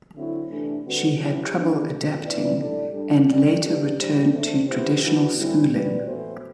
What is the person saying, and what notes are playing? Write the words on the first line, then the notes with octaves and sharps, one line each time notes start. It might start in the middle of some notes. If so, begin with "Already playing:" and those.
She had trouble adapting and later returned to traditional schooling.
D3 F#3 C4 E4
C3 E3 A3 D4
D3 G3 C4 F#4 B4
F#3 B3 E4 G4
B3 D4 G4
B2 F#3 A3
B3 E4 B4 D5
A2 G3 D4 A4 D5
G3 D4 A4
G3 D4 A4 D5
B3 D4 G4 D5
A2 G3 D4 G4 C5
D3 A3 C4
B3 E4 G4 C5
E3 B3 D4 F#4
A2 E3 G3 C4 E4
G3 C4 F#4 B4 D5
A2 E3 B3 F#4 C5